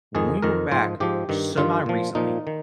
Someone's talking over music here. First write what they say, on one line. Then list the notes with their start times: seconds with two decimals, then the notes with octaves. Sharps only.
When we went back semi-recently,
0.15 F2 D#3 G#4
0.42 F2 D#3 A#4
0.71 G#2 F3 C5
1.00 G#2 F3 G4
1.29 G2 D#3
1.57 G2 D#3 F4
1.86 A#2 F3
2.15 A#2 F3 D#4
2.47 D#3